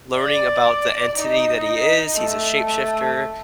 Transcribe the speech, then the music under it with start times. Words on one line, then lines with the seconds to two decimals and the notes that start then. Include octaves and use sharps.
learning about the entity that he is, he's a shapeshifter,
0.16 D5
1.15 D#4
2.15 A3
2.65 A3